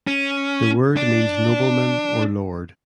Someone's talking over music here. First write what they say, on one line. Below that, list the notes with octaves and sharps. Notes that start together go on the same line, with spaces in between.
The word means "nobleman" or "lord".
C#4
D4